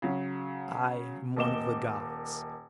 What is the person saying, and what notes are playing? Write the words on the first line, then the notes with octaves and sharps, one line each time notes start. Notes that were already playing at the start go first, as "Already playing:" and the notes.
I am one of the gods.
C#3 F#3
D#1 A#3 D#5 D6 E7 G7